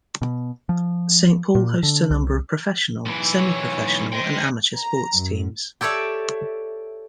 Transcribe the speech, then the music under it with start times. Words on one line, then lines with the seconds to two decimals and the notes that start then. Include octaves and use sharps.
Saint Paul hosts a number of professional, semi-professional, and amateur sports teams.
0.22 B2
0.69 F3
1.55 A#2
1.83 D3
2.10 C2
3.06 B1 E3
3.35 C#5
4.12 C5 D#5 G5
4.76 A#5
5.15 F#2
5.81 G4 A4 C#5 D5 E5